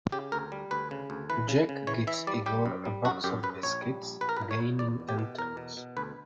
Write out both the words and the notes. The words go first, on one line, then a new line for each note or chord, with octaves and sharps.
Jack gives Igor a box of biscuits, gaining entrance.
C#3 G4
D2 A#4
G3
D2 B4
C#3
D2
E3 B4
C#3
C#3
E3 C#5
E3 E5
G3 D5
G3 G4
F#2
G3
F#2 F#4
F#2 G4
F#2 B4
A#1 C#5
G3
A#1
A#1 B4
A#4
B4
A#2
C#5
A#2
E2 D5
B2
G4
B2
E2 A#4
B2
B2
D2 B4